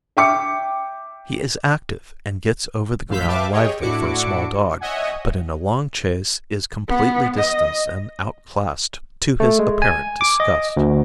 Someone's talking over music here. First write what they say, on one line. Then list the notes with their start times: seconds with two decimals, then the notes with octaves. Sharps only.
He is active and gets over the ground lively for a small dog, but in a long chase is completely distanced and outclassed to his apparent disgust.
0.17 E5 G5 D6 C#7
3.08 A1 F#2 F5 E6 G6 B6
3.27 G4 B4 E5 F5 A5 D6
3.52 G4 G#4 C#5 D#5 G5
3.80 A2 D4 E4 F#4 D6 C#7
4.80 C#5 D#5 E5 F#5 G#5
6.88 B3
7.38 D#5
9.40 A3
9.59 G#3
9.82 G#5
10.21 D6
10.40 D#5
10.77 D2